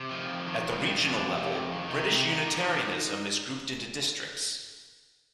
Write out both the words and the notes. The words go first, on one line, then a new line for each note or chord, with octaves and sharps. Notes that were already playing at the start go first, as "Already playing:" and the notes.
At the regional level, British Unitarianism is grouped into Districts.
Already playing: C3
D#3 F3
F2
D#3
F2
F3
D#3 G3
F2
D4
F2
C3
F2
D#3
C3 D#4
C3
D3 D#4
D3
D3